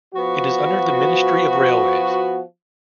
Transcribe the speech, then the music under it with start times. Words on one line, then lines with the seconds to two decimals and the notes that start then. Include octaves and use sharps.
It is under the Ministry of Railways.
0.15 F3 B3 F#4